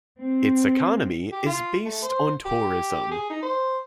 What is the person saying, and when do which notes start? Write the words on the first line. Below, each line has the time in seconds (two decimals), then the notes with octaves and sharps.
Its economy is based on tourism.
0.20 C4
1.32 G4
1.46 F4
1.85 A3
2.02 C5
2.46 G4
3.12 G#4
3.30 D#4
3.43 C5